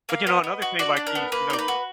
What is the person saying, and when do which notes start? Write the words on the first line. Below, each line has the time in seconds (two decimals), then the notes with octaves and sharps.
But you know, another thing, like, these, you know
0.09 A#3 F5
0.27 B3 D#5
0.44 B3
0.62 F#4
0.79 F#4 D5
0.97 D4
1.07 A#4
1.15 B3
1.32 A#3 B4
1.50 D#4 D5
1.59 B4
1.68 F#4